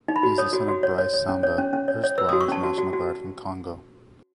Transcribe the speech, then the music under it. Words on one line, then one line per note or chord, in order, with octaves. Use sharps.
He is the son of Brice Samba, erstwhile international guard from Congo.
D#4
B5
F#4
C#5 D#6
F#4
F#4
C#5
C#5
C#5
C#4
C#5
C#4
C#4
C#5
C#5
B4 E6
D#6
F#4
C#6
C#4 A5
F#4
F#4
F#4